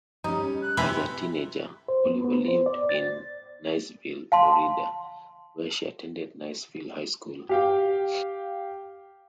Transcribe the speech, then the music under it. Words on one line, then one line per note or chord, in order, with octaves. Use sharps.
As a teenager, Oliver lived in Niceville, Florida, where she attended Niceville High School.
G3 C#4 D#4
F#6
C3 E4 B4 G#5 E6
C5
B3
B3
C5
D5
A6
F5 A5 C6
G4 F5 G5